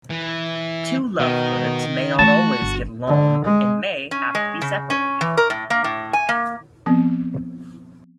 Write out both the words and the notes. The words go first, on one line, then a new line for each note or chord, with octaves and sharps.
Two lovebirds may not always get along, and may have to be separated.
E3
B2 D#3
E3 A3 F#4 A5
G1
D3
G#3
C#4
G#3
C#3
C#4
E3
A#4
A2
A#3
A2
G#5
A#3
F3 B3 C4